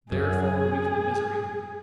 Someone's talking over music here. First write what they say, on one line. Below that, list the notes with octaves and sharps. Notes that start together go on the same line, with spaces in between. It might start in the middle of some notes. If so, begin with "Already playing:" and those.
There followed a week of misery.
F#2 G#4